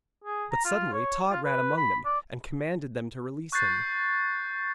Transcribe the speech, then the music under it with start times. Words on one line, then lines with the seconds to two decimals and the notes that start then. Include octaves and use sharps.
But suddenly Tod ran among them, and commanded them to release him.
0.24 G#4
0.51 A#5
0.65 F4
0.93 C#5
1.31 F4
1.45 B4
1.77 B5
2.05 D5
3.52 C#6 F#6 G6 A6 C7